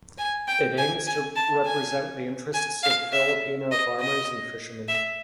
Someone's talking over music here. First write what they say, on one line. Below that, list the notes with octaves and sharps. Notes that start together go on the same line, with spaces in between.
It aims to represent the interest of Filipino farmers and fishermen.
G#5
G5
G#5
G#5
A5
G#5
G#5
F5
E5
D#5
D#5
E5